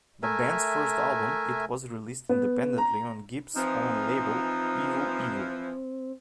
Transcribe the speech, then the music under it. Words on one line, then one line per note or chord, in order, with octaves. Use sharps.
The band's first album, it was released independently on Gibb's own label EvilEvil.
A3 A#4 E5 G#5
B3
A#5
E3 F3 C4 D#4